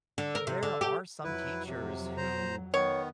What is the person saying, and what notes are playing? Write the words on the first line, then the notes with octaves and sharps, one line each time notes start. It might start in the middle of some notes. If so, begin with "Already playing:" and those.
there are some teachers who
D3
A#4
C3
D3
G4
F2 F#3 E4 B4
C3
C5 A#5
D#3 B3 C#5